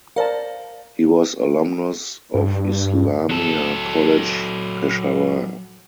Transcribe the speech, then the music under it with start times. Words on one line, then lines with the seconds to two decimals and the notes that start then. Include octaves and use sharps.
He was alumnus of Islamia College Peshawar.
0.16 A#4 C5 D5 F5 A5
2.34 G2
3.30 F#3 A4